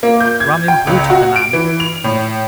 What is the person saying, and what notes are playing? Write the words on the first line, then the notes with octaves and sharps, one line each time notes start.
Rum imbruted the man.
A#3
G6
G#6
G5
C#2
F#4
D7
E3
F7
A2